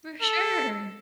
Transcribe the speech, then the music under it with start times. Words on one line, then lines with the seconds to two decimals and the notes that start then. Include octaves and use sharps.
For sure.
0.22 A4